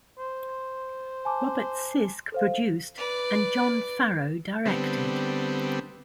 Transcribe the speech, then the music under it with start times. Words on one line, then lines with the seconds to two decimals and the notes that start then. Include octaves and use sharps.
Robert Sisk produced and John Farrow directed.
0.18 C5
1.25 G#5 A5 D6
2.32 A4 C5 F5
2.97 B4 D5
4.66 D3 G3 B3 C4